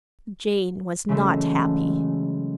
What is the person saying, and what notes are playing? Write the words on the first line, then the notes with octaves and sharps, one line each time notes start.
Jane was not happy.
C#3 E3 F#3 G#3 A3 A4